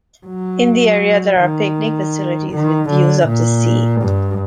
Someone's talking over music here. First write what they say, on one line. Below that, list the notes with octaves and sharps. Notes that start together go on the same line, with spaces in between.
In the area, there are picnic facilities with views of the sea.
F#3
D#3
D#3
D3
A#2
G2